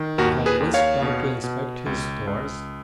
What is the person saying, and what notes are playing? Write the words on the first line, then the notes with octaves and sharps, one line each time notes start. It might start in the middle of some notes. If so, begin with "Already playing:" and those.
He had whisked out to inspect his stores.
Already playing: D#3
D#2 F#4 A#4
G#4 B4
D#2
C#5 F5
B2
B2
C#2
C#2